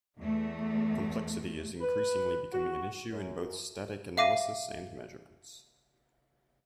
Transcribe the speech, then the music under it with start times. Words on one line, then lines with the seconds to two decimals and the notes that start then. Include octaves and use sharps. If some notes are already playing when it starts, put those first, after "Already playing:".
Complexity is increasingly becoming an issue in both static analysis and measurements.
0.20 E2 A3
1.81 B4
2.53 F#4
3.11 F#2
4.18 E5 F5 D6 A#6 D#7